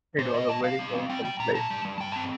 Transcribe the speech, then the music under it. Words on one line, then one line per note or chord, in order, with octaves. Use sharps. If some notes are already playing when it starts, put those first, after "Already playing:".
It was a very lonesome place.
A#2 C5
A#2 D#5
A#2 A5
G3 F5
G3
C4
G3 G5
G3 G5
A#2 A#5
A#2 A5
G3
G3
G2 G5
C4 A5